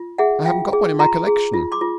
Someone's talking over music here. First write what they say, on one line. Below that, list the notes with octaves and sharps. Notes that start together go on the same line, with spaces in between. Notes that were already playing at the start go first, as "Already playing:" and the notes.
I haven't got one in my collection.'
Already playing: F4
G#4 E5 F#5
F4 F5 G5
G#4
F4 A#5 C6
G#4
F4
C6 D6
F4